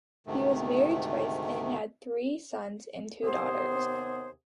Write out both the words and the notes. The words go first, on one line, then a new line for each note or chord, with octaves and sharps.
He was married twice and had three sons and two daughters.
D2 G#2 C3 D#3 A3
D#2 C3 B3 G#4 C5